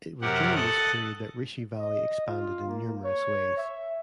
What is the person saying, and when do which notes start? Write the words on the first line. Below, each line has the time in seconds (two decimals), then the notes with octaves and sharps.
It was during this period that Rishi Valley expanded in numerous ways.
0.22 F#2 C3 G4 A#4 F#5
0.56 A4 D#5 F#5 F#6 A6
1.77 D#5
2.27 F4
2.68 A#3
3.05 C#5
3.57 E5